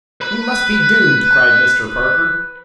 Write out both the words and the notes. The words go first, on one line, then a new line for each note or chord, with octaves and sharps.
"We must be doomed!" cried Mr. Parker.
B4 B5